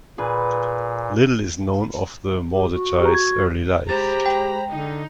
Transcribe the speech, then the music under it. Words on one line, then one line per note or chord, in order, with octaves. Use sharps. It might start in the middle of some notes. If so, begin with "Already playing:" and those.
Little is known of the Mordechai's early life.
A#2 G#4 B4
G4
F#4
G4 G#4 A#5
G#6
G#3 G4 C5 A#5 B5 A6
G5
D3 D#4